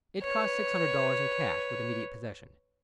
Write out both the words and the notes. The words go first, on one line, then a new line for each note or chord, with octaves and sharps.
It cost six hundred dollars in cash, with immediate possession.
B4 C#5